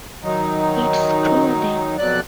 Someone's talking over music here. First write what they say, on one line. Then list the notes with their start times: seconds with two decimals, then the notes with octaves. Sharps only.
It’s true, then!
0.24 D#3 F#3 D#4
1.98 F2 B2 F#3 D5 F#6